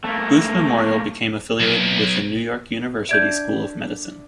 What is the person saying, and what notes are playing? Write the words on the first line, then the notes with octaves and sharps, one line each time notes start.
Booth Memorial became affiliated with the New York University School of Medicine.
A3 A#3
B1
D4 D5 E5 G6 G#6 D7